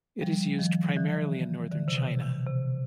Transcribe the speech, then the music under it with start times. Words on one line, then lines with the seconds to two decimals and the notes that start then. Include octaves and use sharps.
It is used primarily in northern China.
0.21 F3 G3
0.59 D#3 F3
0.97 D3 E3
1.71 D3 E3
1.88 C3
1.97 B2
2.21 C3
2.47 C3